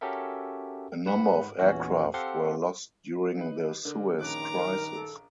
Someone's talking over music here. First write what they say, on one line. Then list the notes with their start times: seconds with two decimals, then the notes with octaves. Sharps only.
A number of aircraft were lost during the Suez crisis.
0.01 C#4 F#4 G4 A4 A#4 E5
1.06 G#2 B4 F#5 B5
1.59 E2 A#2 E3 C#4 F#4
2.14 C4 G4 A4 F5 F#5 C6
3.37 D#4 B4
3.85 D3 D4 A#4
4.20 A#1 G2 D#3 C#4 A#5 D6 F#6
4.53 A#4
4.94 A4